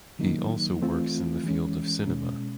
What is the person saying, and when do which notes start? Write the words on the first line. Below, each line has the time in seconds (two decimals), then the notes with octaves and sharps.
He also works in the field of cinema.
0.19 D#3 F#3 A#3 D#4
0.82 E3 A3 C4 F4
1.44 E3 G#3 C#4
2.06 B2 G#3 C#4